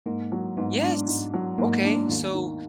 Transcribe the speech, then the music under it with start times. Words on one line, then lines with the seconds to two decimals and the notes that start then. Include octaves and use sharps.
yes. Okay. So,
0.06 G#2 A#3
0.32 F#3
0.57 G#2 B3
0.82 D4
1.08 G#2
1.34 F#3
1.58 G#2 A#3
1.84 D4
2.09 D#2
2.34 D#3